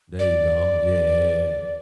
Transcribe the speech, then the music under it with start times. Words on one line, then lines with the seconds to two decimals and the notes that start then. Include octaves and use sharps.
There you go, yeah.
0.19 D5